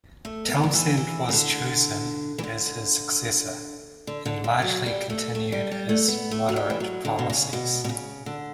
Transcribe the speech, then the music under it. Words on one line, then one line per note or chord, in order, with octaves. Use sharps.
Townsend was chosen as his successor, and largely continued his moderate policies.
A3
B3
D3
E3
E3
C#3
D3
E3
D3
D3
D3
D3
F#3
G3
A3
A3
G3
G3
A3
B3
A3
F#3
G3
E3
F#3
D3
B2
C#3
B2
B2
C#3
D3